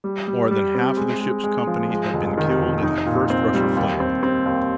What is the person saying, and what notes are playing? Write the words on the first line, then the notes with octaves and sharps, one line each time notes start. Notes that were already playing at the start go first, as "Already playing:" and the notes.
More than half the ship's company had been killed in that first rush of flame.
G3
G3
G3
C4
G#3
G#3
G#3
F3
G#3
F1
D#3
F1
D#4
A#2
C4
G3
D#2
C4
C4
D#2